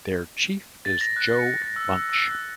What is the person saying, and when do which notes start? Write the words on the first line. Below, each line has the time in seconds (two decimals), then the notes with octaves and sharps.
Their chief is Joe Bunch.
0.85 A6
1.01 A#6
1.16 F#6
1.39 C#7
1.62 A#6
1.76 E6
1.91 E6
2.09 E6
2.30 F#6